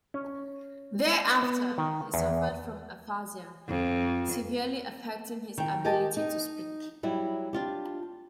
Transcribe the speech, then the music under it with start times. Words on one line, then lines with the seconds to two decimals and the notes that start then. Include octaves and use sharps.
Thereafter, he suffered from aphasia, severely affecting his ability to speak.
0.14 C#4
1.43 B3
1.78 D#3
2.14 E2
3.68 F2
5.58 D#3 G5
5.85 G4 A#4 D#5 G#5 A5
6.17 D#4
7.03 F#3 G3 E4
7.53 D4 F4 G4